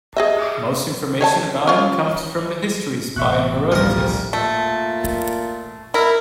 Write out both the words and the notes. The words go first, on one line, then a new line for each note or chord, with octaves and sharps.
Most information about him comes from "The Histories" by Herodotus.
G#4 D#5 E5
C#5 D#5 A5
C#4 F4
A1 B2 E5 C#6 F#6
D1 F3 G3 A#4
A#2 A3
E4 A#4